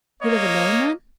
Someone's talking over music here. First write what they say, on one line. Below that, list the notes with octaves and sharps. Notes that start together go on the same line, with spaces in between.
"You live alone, then?"
A#3 C#5 D#5